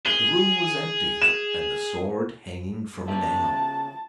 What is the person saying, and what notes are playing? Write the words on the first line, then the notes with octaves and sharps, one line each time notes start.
The room was empty, and the sword hanging from a nail.
G#4 G7
E7
C#3 E5 A5